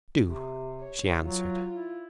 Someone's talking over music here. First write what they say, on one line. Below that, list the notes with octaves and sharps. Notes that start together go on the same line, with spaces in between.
"Do," she answered.
C3
C#5
F#3 F4
E4